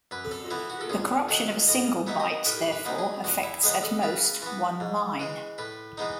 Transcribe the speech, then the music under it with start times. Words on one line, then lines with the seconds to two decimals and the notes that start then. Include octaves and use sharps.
The corruption of a single byte therefore affects at most one line.
0.11 F#2 B4
0.31 A4
0.50 E3 B3 E4
0.70 F#4
0.81 A4
0.89 E2 G#4
1.29 D#3 F#3 A3
1.68 A2 D#5
2.07 F#3 B3 D#4 E5
2.20 D#5
2.46 A2 B4
2.72 B4
2.85 F#3 B3 D#4
2.98 G#4
3.24 E2 F#4
3.43 E4
3.63 D#3 G#3 B3 D#4 G#4
3.83 A4
4.02 C#3 B4
4.42 E3 B3
4.80 G#2
5.19 E3 G#3
5.58 A2 B4
5.97 E3 G#3 B3 D#4